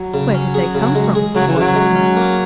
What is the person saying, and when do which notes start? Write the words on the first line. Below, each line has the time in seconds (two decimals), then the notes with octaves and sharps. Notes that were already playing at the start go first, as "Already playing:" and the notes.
"Where did they come from?" he wanted to know.
Already playing: F#3
0.14 C#3
0.34 C#4
0.54 G#4
0.75 C#3
0.95 G#3
1.15 G#4
1.35 C#3 F#3
1.48 E3
1.56 C#3 F#3
1.75 G#3
1.96 C#4
2.17 A#3